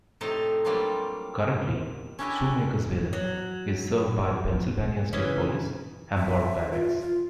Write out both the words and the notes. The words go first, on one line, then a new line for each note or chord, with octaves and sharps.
Currently, Shoemakersville is served by the Pennsylvania State Police - Hamburg Barracks.
A2 C3 D#4 A5 A#5 C6
F#3 G3 A#3 C4 D4 F4
C#4 D4 E4 F#4 G4 D#5
F#3
C#3 E3 C#4
E5
F4
F4